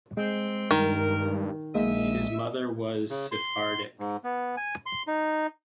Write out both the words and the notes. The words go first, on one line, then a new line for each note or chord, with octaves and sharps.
His mother was Sephardic.
G#3 C4
G2 D#3 A#4
B1 G#3 A#3 D#5 E5
A#1
C#3
C6
G#2
B3
G#5
C6
D#4